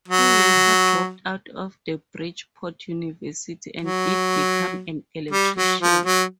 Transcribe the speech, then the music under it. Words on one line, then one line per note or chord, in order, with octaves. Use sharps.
He later dropped out of Bridgeport University and did become an electrician.
F#3
F#3
G3
F#3
F3
F#3